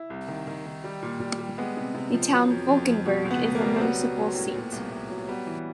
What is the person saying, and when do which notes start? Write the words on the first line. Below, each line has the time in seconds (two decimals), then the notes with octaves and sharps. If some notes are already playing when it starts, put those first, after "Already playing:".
The town Falkenberg is the municipal seat.
Already playing: E4
0.10 C2
0.28 D#3
0.47 D#3
0.66 D#3
0.84 G3
1.02 A#2
1.20 G3
1.39 G3
1.58 G#3 B3
1.77 C3
1.94 C3
2.14 F3
2.32 F#3
2.50 F2
2.68 F2
2.87 F2
3.06 B2
3.25 C#2
3.31 B3
3.44 C#2
3.55 A#3
3.62 G3
3.76 C4
3.81 F#3 B3
3.99 F#3
4.17 F#3
4.35 A2
4.55 A#2
4.72 C2
4.91 C2
5.10 F#3
5.28 G3 B3
5.46 E3